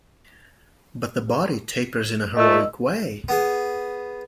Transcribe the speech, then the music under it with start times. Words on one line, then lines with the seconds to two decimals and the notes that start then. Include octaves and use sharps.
But the body tapers in a heroic way.
2.37 A#2 A3 D#5 E6
3.28 B3 G#4